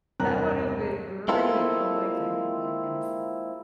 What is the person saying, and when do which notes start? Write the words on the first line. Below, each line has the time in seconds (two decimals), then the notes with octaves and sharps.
that would have been great. Oh, my goodness.
0.20 E1 G2 C3 A#4 A#5 F#6
1.28 G#3 A#3 C4 E4 F4 A4